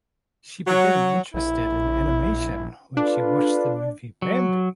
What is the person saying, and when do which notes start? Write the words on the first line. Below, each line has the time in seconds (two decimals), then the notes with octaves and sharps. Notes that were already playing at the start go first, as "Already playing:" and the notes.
She became interested in animation when she watched the movie "Bambi".
0.66 F#3
1.34 A#1 E4
2.97 D4 F4 A4 B4
4.22 F#3